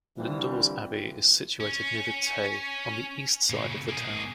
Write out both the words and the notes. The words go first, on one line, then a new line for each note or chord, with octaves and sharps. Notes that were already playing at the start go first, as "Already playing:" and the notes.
Lindores Abbey is situated near the Tay, on the East side of the town.
C2 D3 E3 F3 G3
C#4
A#2 C#3
A#3 G#4